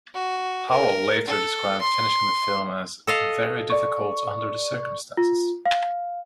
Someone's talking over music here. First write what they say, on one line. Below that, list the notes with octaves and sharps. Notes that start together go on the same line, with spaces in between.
Powell later described finishing the film as "very difficult under the circumstances".
F#4
A#4
A4
C6
A4 D#5 F5
D5 C#6
F4
F5